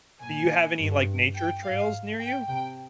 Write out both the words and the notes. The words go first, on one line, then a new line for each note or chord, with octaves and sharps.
Do you have any, like, nature trails near you?
A#2 G#5
G2
G5
G#2 F5
G5
C3 G5